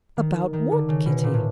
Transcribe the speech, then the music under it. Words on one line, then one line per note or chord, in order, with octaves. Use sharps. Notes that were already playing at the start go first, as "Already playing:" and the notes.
"About what, Kitty?"
D#3
D#3
D3
C#3
B2
A#2
A2